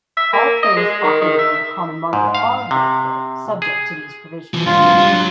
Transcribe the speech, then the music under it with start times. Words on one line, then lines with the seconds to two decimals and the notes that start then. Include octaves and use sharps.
All players operating in the common market are therefore subject to these provisions.
0.17 E5
0.33 A#3
0.63 D#5
0.77 G#3
0.91 G#3
1.04 D#3
1.22 D#3
1.39 E5
2.13 G#2
2.35 F5
2.71 C3
3.62 G#4
4.54 E3 F3
4.66 G2 D3 F4
4.81 G#2 F#3
4.98 G3 D4
5.12 F#3